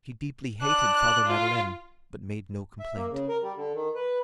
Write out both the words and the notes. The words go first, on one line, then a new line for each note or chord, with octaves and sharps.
She deeply hated Father Madeleine, but made no complaint.
D4 F#6
F#6
F4
E5
A#3
C#3
A#4
G3
D3
D#3
B4